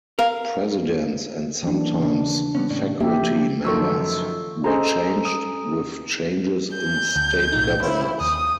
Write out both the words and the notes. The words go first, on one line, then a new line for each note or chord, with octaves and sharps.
Presidents and sometimes faculty members, were changed with changes in state governors.
A#4 F5
E3 A#3 D4
C#3 D4
G3 B3 C#4
A2 C#4 D5
A#3 G4 E5
F3 A#3
F#2 D#3 F3 A4 C#6 E6
C#4 G#4 A4 C5 D#5 A#5
D#6
G6
D2
B1 A2 D#4
E4 C5 C#5 F5
D#2 D#6